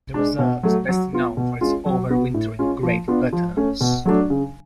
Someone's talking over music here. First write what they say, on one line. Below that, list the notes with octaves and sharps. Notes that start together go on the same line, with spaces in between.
The reserve is best known for its over-wintering great bitterns.
G#3 D4
B2
F#3 A3
F#3
B3 F4
B2
G#3 C#4 F4
F#3
B3 F#4
A2
G#3 C#4 F4
F3
B3 D4 F4
F3
A3 C#4
B2
F#3 A3 D4
C#3